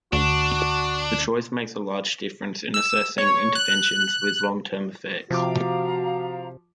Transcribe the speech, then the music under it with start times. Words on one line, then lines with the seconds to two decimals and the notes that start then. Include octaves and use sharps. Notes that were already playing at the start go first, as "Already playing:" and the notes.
The choice makes a large difference in assessing interventions with long-term effects.
0.13 D2 D4 F#4
2.74 E6
3.18 C#5
3.55 F#6
5.31 C3 F3 F#4 F5 A#5 D6